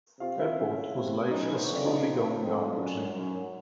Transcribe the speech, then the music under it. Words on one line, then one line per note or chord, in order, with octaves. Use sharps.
Airport whose life is slowly going down the drain.
C3 F4 F5
E4 E5
C#3
C3
F#2 D#4 D#5
B4
C5
F2 C#5
D5
D#4 D#5
F2
F2
F#2
F#2